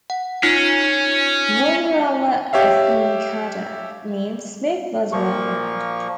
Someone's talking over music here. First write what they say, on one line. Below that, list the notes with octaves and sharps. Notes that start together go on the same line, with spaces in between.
"Mozzarella affumicata" means smoked mozzarella.
F#5
C#4 D#4 F4
G4 C#5 E5 F5
A#2 F3 A#3 C#6